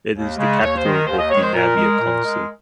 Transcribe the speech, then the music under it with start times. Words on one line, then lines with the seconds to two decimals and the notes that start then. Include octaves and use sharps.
It is the capital of the Navia council.
0.14 D#2
0.37 C#3 G#3
0.60 D#2 C#5
0.76 C5
0.84 D#3 G#3
0.91 A#4
1.06 D#2 C5
1.18 D#5
1.30 D#3 G#3 C#5
1.42 C5
1.54 A#2 A#4
1.76 G#3
2.00 A#2
2.24 G#3